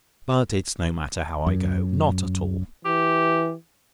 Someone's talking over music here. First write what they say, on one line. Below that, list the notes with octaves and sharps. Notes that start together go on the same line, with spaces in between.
But it's no matter how I go,--not at all.
F#2
E3 G4